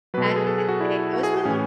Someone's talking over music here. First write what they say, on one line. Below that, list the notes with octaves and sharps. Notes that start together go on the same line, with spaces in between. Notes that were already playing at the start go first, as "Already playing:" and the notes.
back in the day, those were like
B2 F#3 B4
A4
G#4
A4
G#4
F#4
E4
F#4
G#4
G#4
A2 E3 C#4